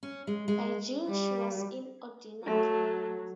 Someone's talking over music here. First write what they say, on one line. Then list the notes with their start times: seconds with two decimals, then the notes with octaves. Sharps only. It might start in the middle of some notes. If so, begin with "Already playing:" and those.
By June she was in Ordinary.
0.03 C#4
0.27 G#3
0.48 G#3
1.08 G3
2.47 F#3 A3